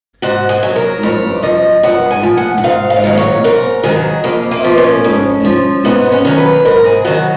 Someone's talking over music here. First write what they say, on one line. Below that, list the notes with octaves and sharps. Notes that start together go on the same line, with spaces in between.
He was born to parents of Adi descent.
G#2 F#4
G#4
F#3
A#4
F2 C#5
F3 D#5
F2 F#5
G#5
F3
F#5
F#5
G#2 F5
F5
D#3 F#3
C#5
G#2 A#4
D#3 F#3 G#4
F2 A#3
A#3
F3
C#4
F2
F3
G#2 B3
C#4
D#3 F#3
B4
G#2 A#4
G#4
D#3 F#3 F#4